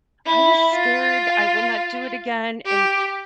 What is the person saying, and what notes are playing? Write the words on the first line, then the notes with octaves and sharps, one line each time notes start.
I was scared; I will not do it again, and
E4
F4
G4